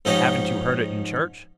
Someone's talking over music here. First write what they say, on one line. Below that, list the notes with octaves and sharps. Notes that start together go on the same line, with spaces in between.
"And haven't you heard it in church?"
G#2 F3 C#4 D#4 G4 D#5